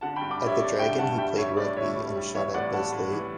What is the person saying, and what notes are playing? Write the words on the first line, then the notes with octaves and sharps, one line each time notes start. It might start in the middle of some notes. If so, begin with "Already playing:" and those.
At the Dragon he played rugby, and shot at Bisley.
D3 F#5 A5
G5 B5
G2
B5 D6
G3
C#5 E5
G2 D5
D3 E5 G5
G2 F#5 A5
G3 E5 G5
G3 C#5 E5
A2 D5
A2 C#5 E5
G3
G3
E3 C#5 E5
A2 D5 F#5
G3 F#5 A5
A2
E3